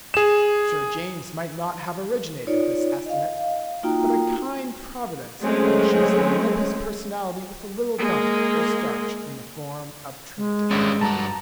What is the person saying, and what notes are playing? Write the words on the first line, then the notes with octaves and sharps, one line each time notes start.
Sir James might not have originated this estimate; but a kind Providence furnishes the limpest personality with a little gum or starch in the form of tradition.
G#4 E7
D#4 F4 C#5 D5
D#5 F5
A#3 D#4 F4 F#4 G5 A#5
F#3 G#3 A3 C4 C#4
G#3 A#3
G#3
G#1 G2 C#4 F#4 G4
G2 G3 F#4 A5 A#5